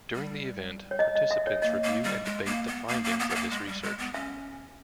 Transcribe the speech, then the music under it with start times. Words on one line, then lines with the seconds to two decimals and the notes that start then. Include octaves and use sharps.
During the event, participants review and debate the findings of this research.
0.15 G3
0.91 C#5
0.99 D#5
1.15 D#5
1.31 E5
1.47 C#5
1.62 A#3 D#5
1.83 A#3
2.04 G3
2.25 G#3
2.46 A#3
2.67 B3
2.88 A#3
3.04 A#3
3.20 B3
3.30 B3
3.35 A#3
3.51 G#3
3.67 G3
3.83 G#3
3.99 B3
4.14 C#4 E5